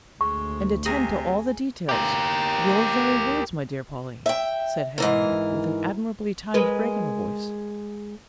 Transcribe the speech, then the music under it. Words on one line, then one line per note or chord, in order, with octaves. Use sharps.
"And attend to all the details--your very words, my dear Pauline," said Henriette, with an admirably timed break in her voice.
D2 G#3 C#6
C3 G#4 A#5
G4 A#4
E5 G5
G#2 E3 A#4
G#3 A#4 B4